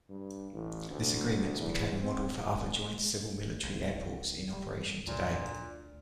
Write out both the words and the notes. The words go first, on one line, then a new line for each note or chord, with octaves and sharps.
This agreement became a model for other joint civil-military airports in operation today.
G2
A1
D2
E2
C4
C2
G3
D2 A#2